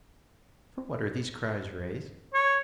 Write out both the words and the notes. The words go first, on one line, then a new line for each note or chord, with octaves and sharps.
'For what are these cries raised?
C#5